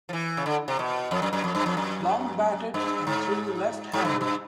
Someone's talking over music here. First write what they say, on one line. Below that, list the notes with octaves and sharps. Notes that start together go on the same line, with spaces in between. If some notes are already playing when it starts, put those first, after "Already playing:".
Long batted and threw left-handed.
F3
E3
C#3
D3
C3
B2
F2
F#2
F#2
F2
G2
F2
F#2
G2
G#2
G#2
G2
G2